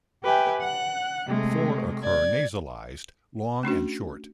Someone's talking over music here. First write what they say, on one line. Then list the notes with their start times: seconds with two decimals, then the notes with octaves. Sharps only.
Four occur nasalized, long and short.
0.23 G4 B4 E5 G5 G#5
0.61 F#5 F#6
1.27 C3 G#3 A3
2.02 D5 G#6
3.63 A3 C#4 D4 F#4